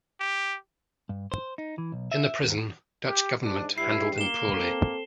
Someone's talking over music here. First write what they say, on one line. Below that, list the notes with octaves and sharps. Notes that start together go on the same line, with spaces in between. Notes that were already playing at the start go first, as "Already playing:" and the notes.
In the prison, Dutch government handled him poorly.
G4
G2
C5
D#4
E3
B1
E5
D#2
G4
G#2 D4
G2 E4 G4 C7
A#3 E7 G7
C4 A4